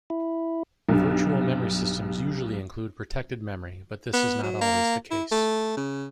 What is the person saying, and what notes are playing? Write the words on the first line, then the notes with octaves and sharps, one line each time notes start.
Virtual memory systems usually include protected memory, but this is not always the case.
E4
B1 G2
B3
F#3
A#3
E4
A3
C#3